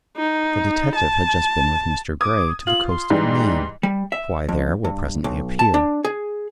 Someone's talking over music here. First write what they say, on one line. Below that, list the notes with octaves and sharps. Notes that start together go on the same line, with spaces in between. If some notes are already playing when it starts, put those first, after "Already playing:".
The detective had just been with Mr. Grey to the coast of Maine. Why there, will presently appear.
D#4
A5
D6 D#6 G#6
F4 F#7
C6
G#2 E3 G3
G3
E5
F2
G2
B1
A5
D4
G#4